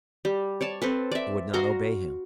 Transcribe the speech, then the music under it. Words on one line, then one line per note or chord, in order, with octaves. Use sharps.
It would not obey him.
G3
C#5 D5 A5
C4 A4 B4
D5 E5
F#4 F5 A#5 C6